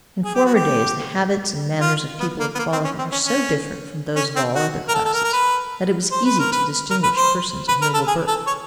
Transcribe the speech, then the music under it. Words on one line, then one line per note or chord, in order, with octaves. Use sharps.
In former days the habits and manners of people of quality were so different from those of all other classes that it was easy to distinguish persons of noble birth.
G#4
G4
F#4
G4
F4
B3
A#3
B3
A#3
C4
C#4
C4
C#4
C#4
C#4
C4
F#4
A#4
A4
A4
A#4
A#4
B4
C5
B4
A#4
B4
A#4
B4
C5
B4
A#4
A4
G#4
A4
C#5